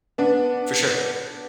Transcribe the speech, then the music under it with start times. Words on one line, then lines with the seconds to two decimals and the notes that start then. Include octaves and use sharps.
For sure.
0.18 B3 D4